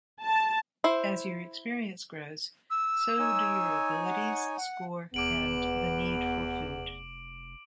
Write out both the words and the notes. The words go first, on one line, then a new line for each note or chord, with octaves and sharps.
As your experience grows, so do your abilities, score and the need for food.
A5
E4 C5
E6
D#4 C#5 G#5
F#5
F#5
F1 E2 B3 D6 D7 F#7